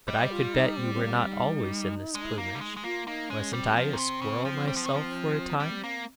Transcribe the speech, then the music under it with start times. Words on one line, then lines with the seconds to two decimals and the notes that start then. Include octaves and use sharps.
But I could bet you were not always in this plumage--wasn't I a squirrel myself for a time?'
0.08 G3 D#5
0.31 F4
0.54 D#4
0.77 C4
0.94 C4
1.05 A#3
1.11 C4
1.29 D#4
2.15 G#3
2.38 A#3
2.55 G3
2.61 G#3
2.77 G#3
2.84 A#3 F4
3.07 A#3 D#4
3.30 G#3 C#4
3.53 G3 C4
3.76 F3
3.93 A#2
3.99 C3
4.21 C#3
4.45 F3
4.68 G3
4.76 F3
4.86 D#3
4.93 F3
5.60 G3
5.84 A#3